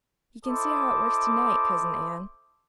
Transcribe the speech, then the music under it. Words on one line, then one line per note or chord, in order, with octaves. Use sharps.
"You can see how it works to-night, Cousin Ann!"
E4 A4 C5 D#5 D6